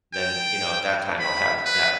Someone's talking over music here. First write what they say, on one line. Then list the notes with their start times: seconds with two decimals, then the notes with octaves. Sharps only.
then, you know, at that time, I'll have that
0.13 G5
1.19 B5
1.65 B4